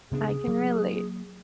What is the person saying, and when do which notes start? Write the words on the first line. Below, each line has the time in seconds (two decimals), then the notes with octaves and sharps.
I can relate.
0.12 C#3 B3 D4 G#4
0.47 F#3 A#3